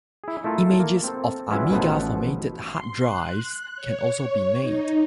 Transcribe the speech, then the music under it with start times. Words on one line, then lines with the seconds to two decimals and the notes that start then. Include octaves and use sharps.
Images of Amiga formatted hard drives can also be made.
0.24 E4 G#4
0.44 A3 E4 F4 A4 A#4
0.80 A#3
1.04 C4 A4
1.50 E3 F#3 G#3 C#4 E4 F4
1.71 A1 B2 F3 A4 B4 C5
2.68 C6
3.04 F#6
3.76 C#5
4.61 D#4